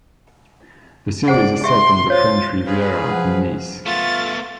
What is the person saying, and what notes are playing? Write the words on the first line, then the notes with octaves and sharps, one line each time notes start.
The series is set on the French Riviera in Nice.
G#4 C5 D5 F#5 D7
G4 E5 C6
F4 C5 C#5 A6
G#4 B4 F5 B5
F3 F#5
A3 B3 F4 F6 A6